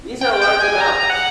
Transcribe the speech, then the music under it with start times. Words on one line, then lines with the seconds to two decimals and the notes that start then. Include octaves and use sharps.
These are large amounts.
0.21 G5
0.42 G5
0.60 G#5
0.81 A#5
1.10 F#5